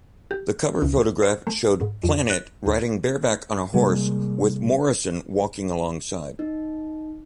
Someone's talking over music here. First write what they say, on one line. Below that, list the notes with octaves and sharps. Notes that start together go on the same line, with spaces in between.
The cover photograph showed Planet, riding bareback on a horse, with Morrison walking alongside.
G4
C#2
C5
A3
G#2
F2
F#6
D2
C3 G3 G#3 A#3
D#4